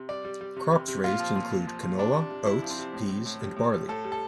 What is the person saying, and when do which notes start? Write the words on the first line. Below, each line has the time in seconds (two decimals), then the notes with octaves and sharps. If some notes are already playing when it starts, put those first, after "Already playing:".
Crops raised include canola, oats, peas and barley.
Already playing: C3
0.09 G3 D5
0.24 G3
0.41 G3
0.56 C3
0.72 C3
0.88 C3
1.04 A#2 F4
1.20 F3
1.36 A#2
1.52 A#2
1.67 F3
1.83 A#2
1.99 C3 D4
2.14 C3
2.30 C3
2.46 C3 E4
2.62 F3
2.70 C4
2.78 C3
2.93 A2
3.09 A2
3.26 A2
3.41 G3
3.56 A2
3.73 G3
3.88 A2 A4
4.04 G3
4.12 A4